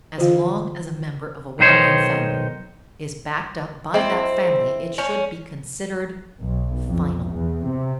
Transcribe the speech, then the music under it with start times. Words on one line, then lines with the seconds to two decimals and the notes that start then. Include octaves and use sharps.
"As long as a member of a well-known family is backed up by that family it should be considered--final."
0.18 D3 E3 F4 F5
1.59 B1 D#3 D#4 C5 C#5
3.94 C4 E4 G#4 D#5 G5
4.98 C#4 C#5
6.38 B1
6.88 F2
7.29 E2
7.65 C3